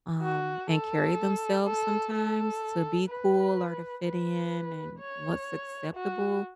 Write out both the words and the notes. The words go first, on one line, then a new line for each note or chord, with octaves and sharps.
um, and carry themselves sometimes to be cool or to fit in, and what's acceptable.
F#4
A4
A4
A4
B4
B4
C#5
F#4